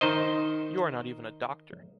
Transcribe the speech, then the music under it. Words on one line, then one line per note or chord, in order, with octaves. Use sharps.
You are not even a doctor!
D#3 D#4 C5 D#5